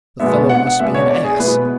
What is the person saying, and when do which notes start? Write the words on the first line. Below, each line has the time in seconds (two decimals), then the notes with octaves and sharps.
The fellow must be an ass!
0.19 B2 G#3 B3 D4 E5
0.49 F#5
0.80 B2 G#3 B3 D4 E5
0.95 C#5
1.09 D5
1.24 G#4
1.39 B2 G#3 B3 E4 B4